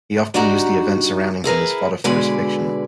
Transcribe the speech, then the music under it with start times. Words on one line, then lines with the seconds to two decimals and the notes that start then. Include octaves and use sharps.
He often used the events surrounding him as fodder for his fiction.
0.34 G3 D4 D#4 F#4 A#5
1.44 E4 G#4 A#4 B4
2.04 B2 D3 G#3 B4 D5 G#5